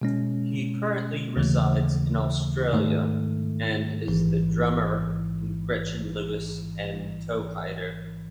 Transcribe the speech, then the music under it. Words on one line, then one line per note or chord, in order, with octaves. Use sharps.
He currently resides in Australia and is the drummer in Gretchen Lewis and Toehider.
B2 G#3 C#4
D#2 C#3 E3 A3
G#2 D#3 A3
A1 G#2 E3